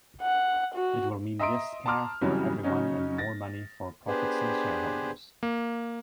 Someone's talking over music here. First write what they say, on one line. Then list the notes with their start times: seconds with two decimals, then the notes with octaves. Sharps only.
It will mean less care for everyone, and more money for profits and shareholders.
0.22 F#5
0.75 F#4
1.39 D#5 E5 A#5 C6 D#6 D7
1.86 A5 A#5 C6 D6 F6
2.21 F2 C#3 E3 F#3 G3
2.63 C#3 F#3 C#4 D#4
3.18 A6 A#6
4.07 B3 D4 G4 G#4 B4 C5
5.43 A#3